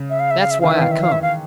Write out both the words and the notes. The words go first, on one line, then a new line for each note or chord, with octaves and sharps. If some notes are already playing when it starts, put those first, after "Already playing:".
That's why I come.
Already playing: C#3
E5
F5
E5
F5
E5
D#3 F5
E3 E5
D#3 F5
E5
F5
E5
F5